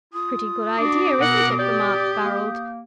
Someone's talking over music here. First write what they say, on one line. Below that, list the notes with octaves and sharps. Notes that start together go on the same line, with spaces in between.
"Pretty good idea, isn't it?" remarked Barold.
F4 D#6
D4 F#4 D6
B2 A#4 F#5
G4 D5 G6
A#3